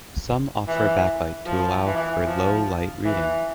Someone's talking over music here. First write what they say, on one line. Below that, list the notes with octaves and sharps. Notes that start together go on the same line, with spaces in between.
Some offer a backlight to allow for low-light reading.
E3
F3
E3
F3
E3